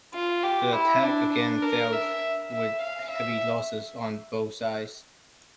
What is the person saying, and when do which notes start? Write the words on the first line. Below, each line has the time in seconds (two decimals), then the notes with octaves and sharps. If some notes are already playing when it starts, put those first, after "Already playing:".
The attack again failed, with heavy losses on both sides.
0.14 F4
0.43 G4
0.73 E4
1.03 D4
1.33 D4
1.62 A#4
1.92 E5
2.52 E5
2.82 F5
3.11 E5